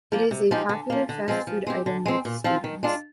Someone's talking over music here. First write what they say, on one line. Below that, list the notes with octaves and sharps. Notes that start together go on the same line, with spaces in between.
It is a popular fast food item with students.
F3 A#3
C3
F3 G#3 D#4 G4
D3
F3 A#3
D3
F3 G#3 C4
F3
G#3 C4 G4
D3
G#3 C4
A#2
F3 C4 F4
D#3
G#3 D4 F4